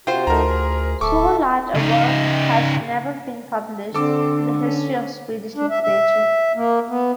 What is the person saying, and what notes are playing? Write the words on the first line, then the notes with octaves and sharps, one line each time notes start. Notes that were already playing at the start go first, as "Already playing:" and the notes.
So large a work has never been published in the history of Swedish literature.
C3 F4 F#4 C5 G5
D2 A3 D#4 F#4 A#4 A#5
G#4
D1 A4 E5 C#6 D6
C#3 D#4
D3 C4 D4 A4 D6 E6
C#4
D4
E5
E5
A#3
B3